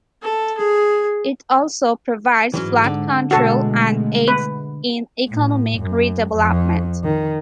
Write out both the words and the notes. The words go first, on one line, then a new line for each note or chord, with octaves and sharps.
It also provides flood control and aids in economic redevelopment.
A4
G#4
G#2 E3 F#3 C#4
D3
B2 G#3 A3 F#4 A4
B4
A2
F#2
F2
D#3